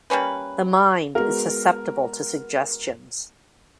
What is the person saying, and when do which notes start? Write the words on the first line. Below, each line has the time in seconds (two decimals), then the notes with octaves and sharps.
The mind is susceptible to suggestions.
0.10 G3 A#3 C#4 B4
1.15 G#3 B3 F#4 A#4